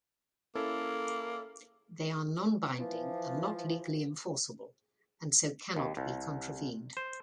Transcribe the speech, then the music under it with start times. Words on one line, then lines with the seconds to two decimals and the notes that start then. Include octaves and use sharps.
They are non-binding and not legally enforceable and so cannot be contravened.
0.55 A#3 C#4 E4 A4
2.80 E3 F3
5.76 D#2
5.97 C2
6.97 C5